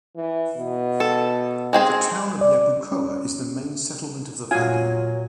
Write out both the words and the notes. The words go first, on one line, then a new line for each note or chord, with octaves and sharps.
The town of Yabucoa is the main settlement of the valley.
E3
B2
A4
G#3 C4 G#4
D5
C#4
A#2 F#3 F4 F#4 G#5